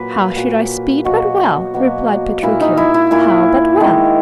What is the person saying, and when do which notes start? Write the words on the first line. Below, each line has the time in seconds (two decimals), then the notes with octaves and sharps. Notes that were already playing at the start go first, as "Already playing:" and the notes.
"How should I speed but well," replied Petruchio--"how, but well?"
Already playing: A#2 F#3 A#3 B4
0.36 A#2 F#3 A#3
1.04 B2 F#3 A#3 F#4
1.74 B2 F#3 A#3
2.43 A#2 A#3 E4
2.60 D#4
2.77 E4
2.94 E4
3.11 A#2 A#3 E4
3.80 D#3 G#3